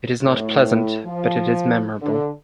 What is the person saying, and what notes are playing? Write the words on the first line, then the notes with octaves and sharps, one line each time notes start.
It is not pleasant but it is memorable.
A2
F3
D3